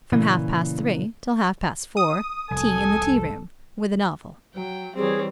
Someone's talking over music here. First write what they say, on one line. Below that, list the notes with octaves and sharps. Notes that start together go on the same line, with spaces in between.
From half past three till half past four tea in the tearoom, with a novel.
A#2 C#3 E3
D#6
F1 C2 A4 G#5
F#3 G5
E3 G3 C4 G#4 C#5